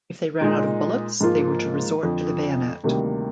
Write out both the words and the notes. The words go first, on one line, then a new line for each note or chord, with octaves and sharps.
If they ran out of bullets they were to resort to the bayonet.
A#2 G#3 D#4
G#2 F3 A#3 F4
F2 D3 F3
D2 C3 D#3 G3 A#3